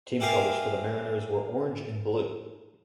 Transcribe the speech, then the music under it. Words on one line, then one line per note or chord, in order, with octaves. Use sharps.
Team colors for the Mariners were orange and blue.
E4 G4 G#4 A#4 F5